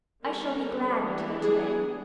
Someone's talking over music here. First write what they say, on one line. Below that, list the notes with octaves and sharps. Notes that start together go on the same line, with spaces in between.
"I shall be glad to go to bed."
D3 G3 B3 A#4
E3 G3 B3 D4
G#4